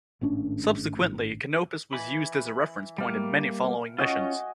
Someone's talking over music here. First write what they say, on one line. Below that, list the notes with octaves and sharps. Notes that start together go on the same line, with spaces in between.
Subsequently, Canopus was used as a reference point in many following missions.
G#1 A2 C#4 D4
E3 B5
G3 A#3 F5 G5 A5
C#4 F4 F#4 D#5 G#5